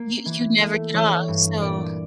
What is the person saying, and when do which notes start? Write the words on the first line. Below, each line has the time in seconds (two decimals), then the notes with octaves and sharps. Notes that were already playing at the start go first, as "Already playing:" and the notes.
you you never get off. So
Already playing: A#3
0.26 E3
0.59 A3
0.94 E3 C#5
1.28 G2
1.61 A#2 D5